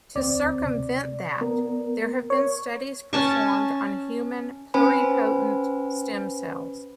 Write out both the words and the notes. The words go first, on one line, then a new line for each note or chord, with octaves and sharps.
To circumvent that, there have been studies performed on human pluripotent stem cells.
D2 C4 D5
C3
B3 A#4
C#5
C#4 A5 C#6
C#4 B4 C5 G#5 B5